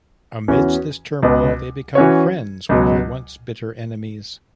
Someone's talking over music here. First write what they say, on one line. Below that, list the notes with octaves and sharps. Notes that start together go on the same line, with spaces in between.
Amidst this turmoil, they become friends with their once-bitter enemies.
E2 E3 C#4 F#4
C#2 B2 B3
E3 C#4 F#4 C#5
C#2 B2 F#3